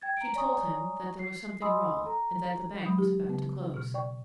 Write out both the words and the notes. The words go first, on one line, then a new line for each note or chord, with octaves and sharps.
She told him that there was something wrong, and that the bank was about to close.
G5 G#6 A6
A#5 D7
C#5 D5 G#5 A#5 C#6 D#6
C7
D#5 G#5 B5 C6 D#6 E6
A4 A#5
F#3 G#3 B5 D#6
G4
C#3 B3
B2 F6
D5 G5 C#6